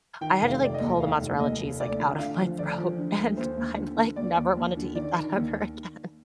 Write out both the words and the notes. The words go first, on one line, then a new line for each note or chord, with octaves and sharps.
I had to, like, pull the mozzarella cheese, like, out of my throat, and I, like, never wanted to eat that ever again.
D#3 G5
F1
F5
F1 D5
D#5
D#2
D#3 F5
F1
D#2 D#5
F1
D2 D5
D3
D3 F5
F3
D2 D5
F3
D3
D2
D#2 C5
D#2
D3
D3
D#2 D5
D#2
D#2
D3
D#3 D5
D#3
D#2